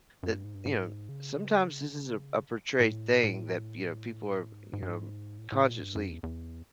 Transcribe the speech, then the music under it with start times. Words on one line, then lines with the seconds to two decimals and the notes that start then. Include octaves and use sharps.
that, you know, sometimes this is a a portrayed thing that, you know, people are, you know, consciously,
0.23 F#2
0.34 G2
0.44 G#2
0.55 G2
0.65 G#2
1.09 C#3
2.80 A2
3.24 A2
4.52 G#2
4.73 G#2
4.82 G2
4.90 G#2
5.38 A2
5.52 A2
5.66 A#2
5.81 G2
5.95 F#2
6.09 E2
6.23 E2